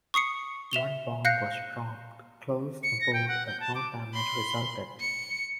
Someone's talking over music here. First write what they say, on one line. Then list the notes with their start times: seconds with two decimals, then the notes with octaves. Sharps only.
One bomb was dropped close aboard but no damage resulted.
0.14 C#6 D#6 C7 C#7
0.71 E5 E7 F7 G7
1.25 F5 F#6 G6 A#6 C#7
2.83 C#7
3.01 A#6
3.13 G5
3.28 F#5
3.47 G6
3.60 A5
3.75 D6
4.14 B5 C6
5.00 C#7